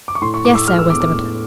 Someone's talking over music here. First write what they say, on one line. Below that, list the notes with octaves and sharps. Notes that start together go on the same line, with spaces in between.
"Yes, sir," was the reply.
D6
C#6
A2 C6
C#6
A2 D6
E6
G#3 F6
E6
B3 D6
D6
A2